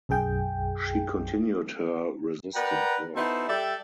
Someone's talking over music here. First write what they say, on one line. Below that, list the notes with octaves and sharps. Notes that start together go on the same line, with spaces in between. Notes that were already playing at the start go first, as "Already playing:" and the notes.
She continued her resistance work.
B1 F#2 G#4 G5
A#4 B4 D5 F#5 G5 A#5
B3 D#4 E4 F#4 A4 C5
G3 A4 D5 E5 G5